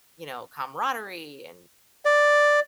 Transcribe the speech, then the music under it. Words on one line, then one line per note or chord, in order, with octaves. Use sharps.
you know, camaraderie and
D5